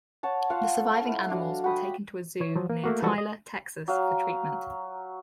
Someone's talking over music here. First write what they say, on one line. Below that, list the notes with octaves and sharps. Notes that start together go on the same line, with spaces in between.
The surviving animals were taken to a zoo near Tyler, Texas for treatment.
C#5 F#5 A5
F4 F5 F#5
A4
E4
F#3 D4 F5
F#4 G5 B5 D#6
E3 C#5
F3 F#3
A#3
A3 A#3 F#4
E3 F3 G3 G#3 F#4 A4
D#5
F#3 F5